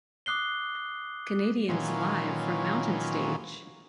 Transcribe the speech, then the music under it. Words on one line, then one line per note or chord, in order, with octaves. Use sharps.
Canadians Live from Mountain Stage.
D6 D#6 F#6 C7 G7
A#2 D#3 E3 F#3 C#4 F4